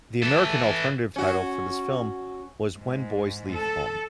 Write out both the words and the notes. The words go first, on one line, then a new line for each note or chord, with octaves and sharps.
The American alternative title for this film was When Boys Leave Home.
E3 A4
C#4 F#4
G#2
A4